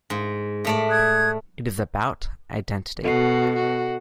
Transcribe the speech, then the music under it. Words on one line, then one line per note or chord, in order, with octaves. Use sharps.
It is about identity.
G#2
A2 A3 D5
D#6 F#6 G#6
B2 F#4 A4 D#5 C7
F#4